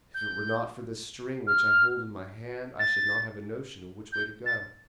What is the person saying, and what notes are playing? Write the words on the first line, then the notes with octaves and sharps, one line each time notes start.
"If it were not for this string which I hold in my hand I should not have a notion which way to go."
G6
F6
A6
G6
A6